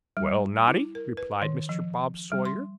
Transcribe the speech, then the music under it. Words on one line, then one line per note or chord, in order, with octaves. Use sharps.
'Well, Noddy,' replied Mr. Bob Sawyer.
G3
E4
A#4
B4
D#3
F3
G3
C6